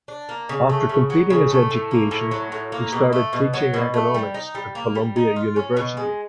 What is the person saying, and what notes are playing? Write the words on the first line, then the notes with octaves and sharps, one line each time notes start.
After completing his education, he started teaching economics at Columbia University.
D4
A#3
C#3
A3
C#3
F#3
C#3
A3
A2
A#3
A2
F#3
A2
A#3
B2
A3
B2
F#3
B2
A3
G3
D#4
G3
A#3
G3
D#4
F4
C#4
B2
G#3